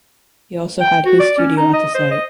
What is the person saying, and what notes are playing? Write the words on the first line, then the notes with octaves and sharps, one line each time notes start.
He also had his studio at the site.
G5
F#4
D5
C#4
D#4
D#5
C5
D#5